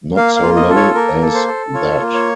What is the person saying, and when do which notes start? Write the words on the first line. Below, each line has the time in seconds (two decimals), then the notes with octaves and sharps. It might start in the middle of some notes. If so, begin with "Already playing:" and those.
Not so low as that.
0.17 A#3 F5
0.36 F5
0.43 F4
0.56 D#5
0.69 A4
0.76 C#5
0.95 A#3 A#4
1.22 A4
1.34 C5
1.47 A4
1.74 F4 C#5
2.01 A#3
2.14 C#5